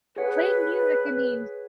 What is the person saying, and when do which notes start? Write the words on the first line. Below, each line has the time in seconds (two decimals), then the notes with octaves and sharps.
playing music, I mean,
0.16 G#4 B4 C#5 F#5